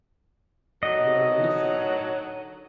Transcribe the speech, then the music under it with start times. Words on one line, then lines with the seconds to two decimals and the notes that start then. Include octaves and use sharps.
"You will own nothing then?"
0.83 D3 D#3 F#3 D#5